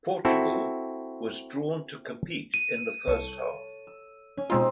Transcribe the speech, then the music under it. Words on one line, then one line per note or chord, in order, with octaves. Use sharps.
Portugal was drawn to compete in the first half.
C4 E4 F#4 A4
D#7
C2 A4 C#5
E6
C#4
B2 G#3 C4 D#4 F4